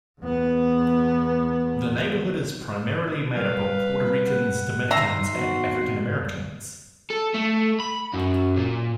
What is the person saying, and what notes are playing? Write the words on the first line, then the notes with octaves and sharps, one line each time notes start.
The neighborhood is primarily made up of Puerto Ricans, Dominicans, and African Americans.
E2 B3
G3 B4 F5
F#5
D#3 E5 A#5 C6 F6
B3 C4 F#4 F5
A4
A3
B5
F#2
A#2